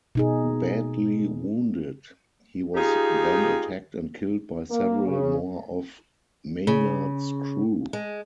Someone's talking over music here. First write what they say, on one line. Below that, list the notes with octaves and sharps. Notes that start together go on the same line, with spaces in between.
Badly wounded, he was then attacked and killed by several more of Maynard's crew.
B2 D#4 G#4
D#4 F4 G4 G#4
A#3
C#3
C#3
G#3